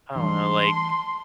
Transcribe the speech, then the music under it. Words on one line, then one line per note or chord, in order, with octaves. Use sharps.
I don't know, like,
E3 G3 A3 D4 C6
A5